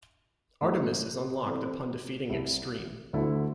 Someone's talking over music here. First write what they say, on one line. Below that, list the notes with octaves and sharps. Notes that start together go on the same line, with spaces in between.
Artemis is unlocked upon defeating Extreme.
G2 E3 A3 D4 A4
E3 C4 E4 A4 D5
C2 C3 G3 E4
D2 D3 A3 E4 A4